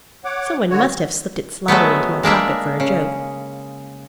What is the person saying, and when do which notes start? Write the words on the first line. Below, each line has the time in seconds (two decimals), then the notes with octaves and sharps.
Some one must have slipped it slyly into my pocket for a joke.
0.25 C#5 F#5 D6
0.70 D3 F#4 C#5
1.68 F#3 G#3 A3 B3
2.23 G#3 A#3 D4 E5
2.80 C#3